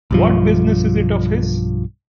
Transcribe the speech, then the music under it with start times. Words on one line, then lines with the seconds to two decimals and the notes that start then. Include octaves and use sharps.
What business is it of his?
0.11 B1 G2 F3